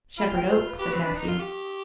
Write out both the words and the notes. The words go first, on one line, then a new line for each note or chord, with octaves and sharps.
"Shepherd Oak," said Matthew.
F4 B5
G5
C5
B4
G4 B4
C4
D4
D#4
F4
G4